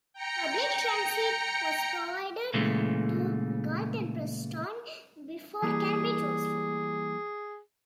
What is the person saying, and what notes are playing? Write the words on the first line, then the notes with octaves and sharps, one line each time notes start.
Public transit was provided to Galt and Preston before Cambridge was formed.
G5 A#5 C#7
A#2 C#3 E3 G#3 A3
E3 G3 A#3 G#4